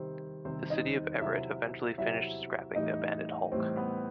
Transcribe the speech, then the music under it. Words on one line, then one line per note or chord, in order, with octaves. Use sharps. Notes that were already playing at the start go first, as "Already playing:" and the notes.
The city of Everett eventually finished scrapping the abandoned hulk.
Already playing: C3 D#3 G3 C4 C5
C3 D#3 G3 C4 C5
D#4 D#5
C3 F#3 E4 E5
C3 F#3 E4 E5
A2 E3 G3 D#4 D#5
A2 E3 G3 C4 C5
B3 B4